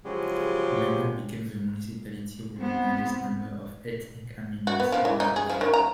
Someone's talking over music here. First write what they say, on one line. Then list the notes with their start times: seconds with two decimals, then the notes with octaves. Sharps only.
Glendale became the municipality with the largest number of ethnic Armenians other than Yerevan.
0.05 C#3 F3 F#3 G#3 G4
2.58 B3 C4
4.67 F#4
4.80 B3
4.92 F3
5.05 E3
5.20 D#4
5.36 G#4
5.50 F3
5.61 D#3
5.74 A#5